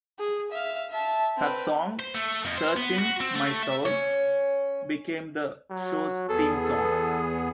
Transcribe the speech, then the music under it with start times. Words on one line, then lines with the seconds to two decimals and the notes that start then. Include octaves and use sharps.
Her song "Searchin' My Soul" became the show's theme song.
0.19 G#4
0.52 E5 F5
0.91 E5 A5
1.38 C4 B4
2.00 C5
2.15 A3
2.45 F2
2.58 C5
2.77 B3
2.99 F#4
3.20 C4
3.35 A3
3.63 E5
3.85 C#4
5.70 F#3
6.28 E2 B3 G#4 A4
6.64 A4